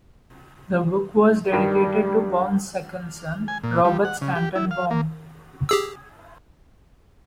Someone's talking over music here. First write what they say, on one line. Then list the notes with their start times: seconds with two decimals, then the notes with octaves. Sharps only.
The book was dedicated to Baum's second son, Robert Stanton Baum.
1.52 G2 D#3 G3
3.48 G#5
3.64 A#2
3.85 G3
4.05 F#5
4.21 C#3
4.36 G4
4.55 E4
4.71 F5
4.90 A#3
5.69 G4 G#4 E6